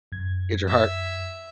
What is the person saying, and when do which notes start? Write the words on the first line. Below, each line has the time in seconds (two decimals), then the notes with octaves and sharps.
Get your heart
0.12 F#2 G#6
0.68 E5